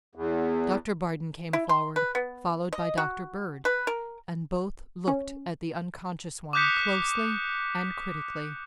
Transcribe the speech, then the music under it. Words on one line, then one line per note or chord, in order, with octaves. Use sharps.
Doctor Bardon came forward, followed by Doctor Bird, and both looked at the unconscious one closely and critically.
E2
E4
C6
B4
B3
D#5
F#4
B4
A#4
C#4
D6 D#6 F#6 G6 B6 C#7